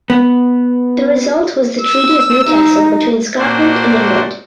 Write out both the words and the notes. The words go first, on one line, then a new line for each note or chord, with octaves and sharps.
The result was the Treaty of Newcastle between Scotland and England.
B3
E6
D#4
A#2 D4 F#4 C5